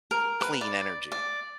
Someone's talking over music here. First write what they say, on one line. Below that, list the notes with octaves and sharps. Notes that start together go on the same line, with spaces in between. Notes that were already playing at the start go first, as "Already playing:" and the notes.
clean energy,
A#4
B4
D5
D5